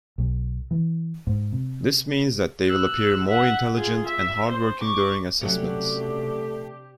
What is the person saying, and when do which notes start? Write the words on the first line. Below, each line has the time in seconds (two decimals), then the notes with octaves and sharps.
This means that they will appear more intelligent and hardworking during assessments.
0.18 B1
0.71 E3
1.27 G#2
1.52 C3
2.68 E6 F#6
3.28 E5 F#5
3.74 F4 G#4
4.06 E5
4.49 C5
4.81 C#6 D6
5.41 C3 F#3 A3 C#4 D4 G4